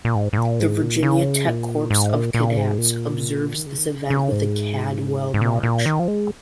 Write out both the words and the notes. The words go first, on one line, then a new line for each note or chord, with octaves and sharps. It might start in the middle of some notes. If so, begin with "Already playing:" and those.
The Virginia Tech corps of cadets observes this event with the Caldwell March.
A#2
G#2
G#2
A#2
G#2
A#2
C#3
A#2
G#2
A#2
A#2
G#2
A#2
D#3
C#3
D#3
C#3
C#3
G#2
G#2
A#2
A#2
D#3
F3
G#3